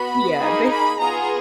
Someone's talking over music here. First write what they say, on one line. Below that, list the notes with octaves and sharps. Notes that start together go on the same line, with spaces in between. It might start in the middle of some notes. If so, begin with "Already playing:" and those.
yeah, they
Already playing: B3 F#4 B5
A#3 D#4 G#4
B5
B3 F4 G#4 A#5